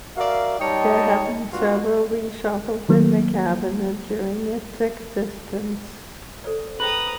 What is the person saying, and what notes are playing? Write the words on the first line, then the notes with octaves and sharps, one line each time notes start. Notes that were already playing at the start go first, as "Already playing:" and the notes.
There have been several reshuffles in the cabinet during its existence.
F#4 A#4 D5 E5 F5
G3 D#4 C#5 D#5 G5 A5
G2 B2 F4 F#4
D#3 F#3 A#3
A4 C5 D5
G#4 B4 C5 G5 A#5 D#6 F#7